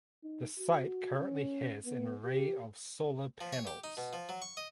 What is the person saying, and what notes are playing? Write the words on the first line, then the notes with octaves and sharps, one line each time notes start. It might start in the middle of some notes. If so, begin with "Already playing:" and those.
The site currently has an array of solar panels.
D#4
F#4
C#4
B3
G4
F3
C#5
G4
D#4
B2
F3
F#3
C#6
D#5